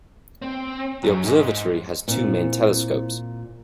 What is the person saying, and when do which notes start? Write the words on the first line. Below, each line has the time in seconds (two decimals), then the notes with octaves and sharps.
The observatory has two main telescopes.
0.42 C4
1.04 F#2
1.26 G#2
2.08 A#2 C4 E4 C5